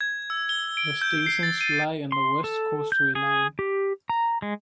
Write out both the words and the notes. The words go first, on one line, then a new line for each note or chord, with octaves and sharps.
The stations lie on the West Coastway Line.
G#6
E6
G7
D7
G6
C7
A6
D#7
C6
A4
G6
G#4
G4
A#5
G#3